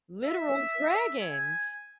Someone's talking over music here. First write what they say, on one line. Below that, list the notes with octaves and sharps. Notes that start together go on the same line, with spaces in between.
literal dragons!
E5
G#5